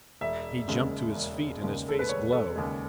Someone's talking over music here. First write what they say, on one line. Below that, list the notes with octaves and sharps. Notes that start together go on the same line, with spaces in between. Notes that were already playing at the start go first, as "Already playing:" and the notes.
He jumped to his feet, and his face glowed.
E1 E5
D#2 C#3 G#3
E1
D#2 C#3 G#3
A4
B4
E1 C#5
A4
D#2 C#3 G#3 G#4